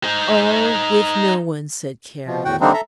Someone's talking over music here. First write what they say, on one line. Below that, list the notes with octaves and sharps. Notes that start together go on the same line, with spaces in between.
"Oh, with no one," said Carrie.
D#4 C5
B2 F3
E2 A2 F#4 F#5 G5
D3 G3 A#3 C4 D4 D#4
A4 E5 A#5